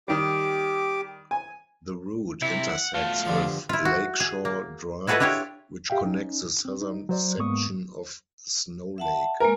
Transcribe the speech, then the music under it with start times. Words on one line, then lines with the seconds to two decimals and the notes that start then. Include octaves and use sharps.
The route intersects with Lakeshore Drive, which connects the southern section of Snow Lake.
0.08 D#3 G3 G4 D6
1.31 G#5
2.42 C3 E4
2.69 F#5
2.94 B2 A3 F4
3.25 G2 D3 F3
3.69 E4 F4
3.85 F#4
4.20 G#4
4.45 A#3
5.07 E4 F#4 G#4 A4 B4 D#5
5.20 D4 E4 F4 G4 C#5
5.90 G4 E5 F5 G5
6.05 C#4 D#4
6.65 C4
6.81 D#4
7.09 F#3 C5 D5
7.38 G#2 G#3 A#3 B3 C#6 D#6
8.98 E5 F#5 A5
9.40 G#3 A#3 A#4 G#5